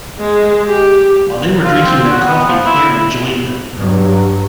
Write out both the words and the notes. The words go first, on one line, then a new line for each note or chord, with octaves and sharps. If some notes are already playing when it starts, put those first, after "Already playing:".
While they were drinking their coffee Harry joined them.
G#3
G4
F4
C4
F#4
B3
F3
E4
G2 F#3